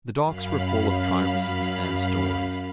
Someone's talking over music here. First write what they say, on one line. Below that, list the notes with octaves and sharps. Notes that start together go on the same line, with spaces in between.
The docks were full of triremes and stores.
F#2 F5 B5